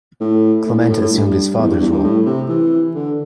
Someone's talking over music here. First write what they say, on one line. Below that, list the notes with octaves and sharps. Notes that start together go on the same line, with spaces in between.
Clement assumed his father's role.
A2
A2
A2
A2
A2
G2
E2
G2
E2
G2
A2
C3
E3
D3